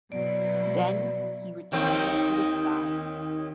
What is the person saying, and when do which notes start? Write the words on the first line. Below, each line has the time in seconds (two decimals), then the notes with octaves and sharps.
Then he returned to the sky.
0.12 B2 F#3 E4 D5
1.72 D#2 D#3 C4